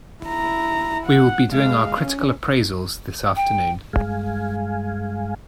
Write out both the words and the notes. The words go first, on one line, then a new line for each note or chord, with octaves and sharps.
We will be doing our critical appraisals this afternoon.
E4 A#5
F#5
G#3 F5
C#4
G5
G2 G#3 F5 G#5